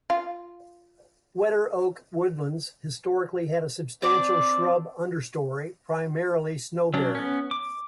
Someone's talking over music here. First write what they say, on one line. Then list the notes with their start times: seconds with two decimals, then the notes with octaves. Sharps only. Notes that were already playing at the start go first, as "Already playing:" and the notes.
Wetter oak woodlands historically had a substantial shrub understory, primarily snowberry.
0.10 F4
4.02 C4 D4 D5
6.94 F#3 C#4 D4
7.15 B3 C#4
7.51 D6